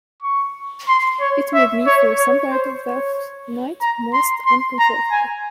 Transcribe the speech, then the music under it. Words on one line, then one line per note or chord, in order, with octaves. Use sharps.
It made me for some part of that night most uncomfortable.
C#6
C6
C#5
E5
C#5
C#5
C5
C#5
A#5
C6
C6
A#5
G#5